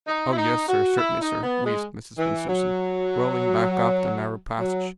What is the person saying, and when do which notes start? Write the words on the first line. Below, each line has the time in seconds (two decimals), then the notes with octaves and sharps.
"Oh, yes, sir--certainly, sir," wheezed Mrs. Bensusan, rolling back up the narrow passage.
0.07 D#4
0.31 E4
0.37 D#4
0.67 F#4
0.98 E4
1.20 D#4
1.42 B3
1.65 G#3
2.17 E3
2.48 F#3
4.59 F#3